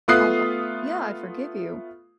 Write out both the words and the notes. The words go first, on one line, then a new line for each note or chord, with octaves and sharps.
I'll ho yeah, I forgive you,
A3 B3 F4 D#6 F#6 C7